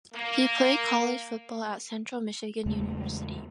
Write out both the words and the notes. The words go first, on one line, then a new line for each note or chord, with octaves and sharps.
He played college football at Central Michigan University.
A#3
E2 C#3 G#3 A3